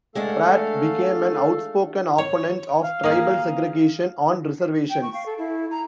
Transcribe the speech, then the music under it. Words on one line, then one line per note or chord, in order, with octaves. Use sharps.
Pratt became an outspoken opponent of tribal segregation on reservations.
G#3 A3 D4 A4 F5 F#5
C#5
F5
A#3 G#4
G5
C#6
F5
A4
E4
A#5